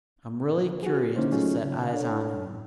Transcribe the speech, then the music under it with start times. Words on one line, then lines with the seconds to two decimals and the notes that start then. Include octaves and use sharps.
I'm really curious to set eyes on him.
0.83 F#4 G#4
1.16 D3 A#3 C#4 D#4 E4 C5
1.32 F#3 A3 C#4 D#4 F4 G#4
1.64 C#3
1.93 D4 A4 C#5